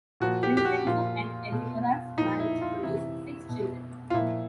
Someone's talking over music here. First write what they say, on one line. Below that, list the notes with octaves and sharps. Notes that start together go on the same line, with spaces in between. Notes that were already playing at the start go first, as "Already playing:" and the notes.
Vincenzo and Eleonora's marriage produced six children.
A#2 F3 F#4
G4
G4
F#4
A#2 F3 F4
B2
A#2 F3 D#4
E4
F4
C3 E3 E4
B2
F4
A#2 F3 E4